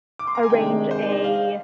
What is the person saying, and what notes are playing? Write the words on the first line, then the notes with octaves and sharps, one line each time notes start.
arrange a,
D6
C6
A#5
G#5
C3 D#3 G#3 D4 G5
C5
D5
D#5
F5